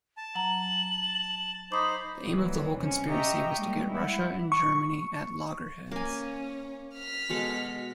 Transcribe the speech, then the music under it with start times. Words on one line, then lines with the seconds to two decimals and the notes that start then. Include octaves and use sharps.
The aim of the whole conspiracy was to get Russia and Germany at loggerheads.
0.17 A5
0.35 F#3 A#5 F#7
1.72 D#4 C5 B5 D6 D#6
2.30 D#2 E3 F#3 G3
2.77 C3 C#4
3.09 G4 D#5 E5 G5 A#5 C#6
3.55 G3 G#3 A#3
3.90 E4 F#5
4.52 C#6
5.91 A#3 C#4 G#5
6.95 F6 B6
7.29 B2 G#3 A4